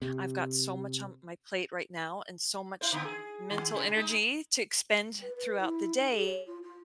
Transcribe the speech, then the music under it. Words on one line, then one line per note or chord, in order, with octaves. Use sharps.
I've got so much on my plate right now and so much mental energy to expend throughout the day,
C3
E4 F4 C5
D3 B3 C4
G#4
D#3
C3
G#3 D#4
B4
B4
E4
D#4
G#4
C#5
F4
F4